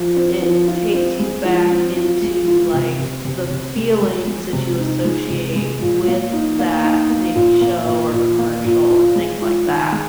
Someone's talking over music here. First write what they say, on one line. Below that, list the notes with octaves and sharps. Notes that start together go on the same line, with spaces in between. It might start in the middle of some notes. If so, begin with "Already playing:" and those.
it takes you back into, like, the feelings that you associate with that, maybe, show, or commercial, or things like that.
Already playing: F3
C4
F3
F4
C4
G#3
F3
C4
F4
G#3
F4
C3
C3
C3
C3
G#3
G#3
G#3
C3
D#4
G#3
C3
G#3
A#2
A#3
D#4
A#3
D#4
A#3
A#2
A#3
A#2
A#2
A#3
A#2
F4
G#3
F4
D#3
G#3